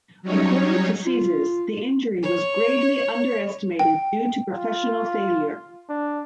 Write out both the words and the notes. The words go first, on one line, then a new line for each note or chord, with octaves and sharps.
According to Czyz, the injury was gravely underestimated due to professional failure.
F#3 G3 C#4 D#4 C#5
F4
C#5
G5
F4
D4